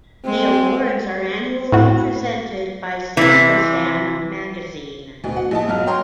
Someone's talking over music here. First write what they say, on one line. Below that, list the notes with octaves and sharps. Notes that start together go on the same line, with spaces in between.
The awards are annually presented by "Santosham" magazine.
G#3 C4
A2 F#4
C3 E3
D2 B2
F#5
A#1 D#5 A5
B1 G#2 F#3 D#5 F6
C#5 G5 A#5 C6